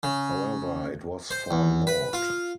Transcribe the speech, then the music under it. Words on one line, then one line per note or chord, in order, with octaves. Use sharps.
However, it was for naught.
C#3
C5
E2
B4
F4